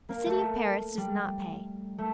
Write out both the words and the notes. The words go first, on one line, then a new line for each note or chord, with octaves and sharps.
The city of Paris does not pay.
A#3
A3
G3
A3